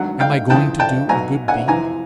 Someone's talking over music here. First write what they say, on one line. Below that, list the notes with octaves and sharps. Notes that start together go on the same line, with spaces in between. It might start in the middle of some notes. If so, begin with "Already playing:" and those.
Am I going to do a good deed?
Already playing: G#1 G2 D#3 F#3 F#5
F5 G5
F2 C#3 E3 G5 A5
G5 A5
B1 B2 F#3 G#5 A#5
F#5 G#5
F2 C3 E3 G#5 A#5